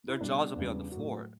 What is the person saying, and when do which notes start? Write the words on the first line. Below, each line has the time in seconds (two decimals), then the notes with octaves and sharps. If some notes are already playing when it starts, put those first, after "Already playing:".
their jaws will be on the floor.
0.08 E4
0.21 B2 G3 D4
0.56 E2 C#3 G3
0.92 A2 F#3